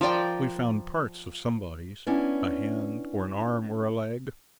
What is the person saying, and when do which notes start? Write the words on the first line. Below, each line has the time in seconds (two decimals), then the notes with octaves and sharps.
We found parts of some bodies--a hand, or an arm or a leg.
0.01 F3 A#4 D5 G5
2.07 B3 C#4 D4 E4